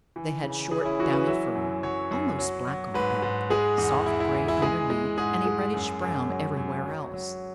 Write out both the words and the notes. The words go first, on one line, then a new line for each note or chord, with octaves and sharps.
They had short, downy fur, almost black on the back, soft gray underneath, and a reddish brown everywhere else.
E3
C#3
E3 G#4
C#4
E4
E3 F#4
B4
F#3 E5
F#2
F#3 C#5
F#2
F#3
F#3
G#2 B4
G#2
G#3 G#4
E2
E3 E4
E4
E3
E4
G#3 G#4
G#3
G#2 G#4
G#3
F#2
F#2
F#3
F#2
F#3
F#3